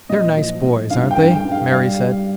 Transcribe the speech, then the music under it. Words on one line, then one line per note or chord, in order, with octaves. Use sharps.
"They're nice boys, aren't they?" Mary said.
A#2 D#5
F3
A#2
G2 F5
G5
G2
G5
G2
F5
G3 F5
G3